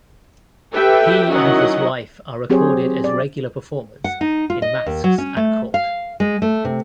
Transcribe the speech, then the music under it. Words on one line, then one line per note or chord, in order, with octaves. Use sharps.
He and his wife are recorded as regular performers in masques at court.
G4 A4 B4 E5 G5
D#3 F#3 C#4 E4 D#5 F#5
F#3 C4 G4 G#4 C5 C#5
D5
F#5
D#4
F4
D#5
D#2
F#3
C#4
A3
F5
G#3
A3
C3